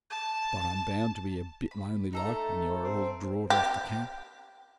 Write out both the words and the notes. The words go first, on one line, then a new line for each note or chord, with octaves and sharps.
But I'm bound to be a bit lonely like when you are all drawed off the camp.
A5
B5
D#4 A4 A#5
A3
C4
G4